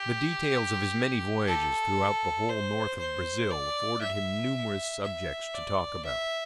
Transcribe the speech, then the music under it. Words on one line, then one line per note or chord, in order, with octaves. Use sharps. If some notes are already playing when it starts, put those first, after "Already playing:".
The details of his many voyages throughout the whole north of Brazil afforded him numerous subjects to talk about.
Already playing: G4
A4
C5
C5
D5
E5
E5
D5
E5